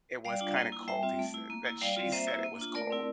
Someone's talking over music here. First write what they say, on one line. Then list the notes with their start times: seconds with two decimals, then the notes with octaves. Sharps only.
It was kinda cold, he said that she said it was cold.
0.25 G3 D5 F5
0.41 D4 F4
0.56 A#3
0.72 E4
0.88 G3 E5 G5
1.03 C4 F4
1.19 A3
1.34 E4
1.50 A#3
1.66 E4
1.81 G3 D5 F5
1.96 C4 F4
2.12 A#3 C5 E5
2.28 E4
2.44 A#3
2.59 D4 F4
2.74 A3 A#4 D5
2.91 C4 E4